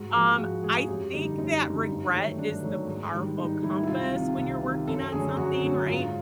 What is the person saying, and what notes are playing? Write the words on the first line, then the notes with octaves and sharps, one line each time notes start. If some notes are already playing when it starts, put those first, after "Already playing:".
Um, I think that regret is the powerful compass when you're working on something, right,
Already playing: G#2 F#4
F3 G#3
G#2 F#4
F3 G#3 G#4
F#2 G4
D3 G3 D#4
F#2 D#4
D3 G3
G2
D#3 F#3 A3
G2 D4
D#3 F#3 A3
G#2
D#3 G3
G#2 D#4
D#3 G3 E4
E4
C2 F4
C3 D#3
C2
C3 D#3
F#2 A4
D3 F#3 G#4
F#2 F#4
D3 F#3
G#2 F4